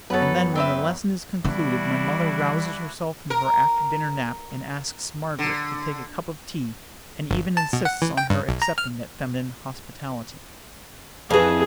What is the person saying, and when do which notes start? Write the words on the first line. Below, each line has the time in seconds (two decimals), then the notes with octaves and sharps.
And then, when the lesson is concluded, my mother rouses herself from her after-dinner nap, and asks Margaret to take a cup of tea, and even insists on her accepting that feminine hospitality.
0.10 F#2 B3 A4 B4 C#5
0.55 C4 B4 E5
1.44 E3 G3 B3 D4 E4 F#4
3.30 A#4
5.39 D3
7.31 G1
7.57 A5
7.73 B2
7.85 F#5
8.02 E3
8.17 G5
8.30 G2
8.49 B1
8.62 A#5
8.78 F6
11.30 F2 E3 G#4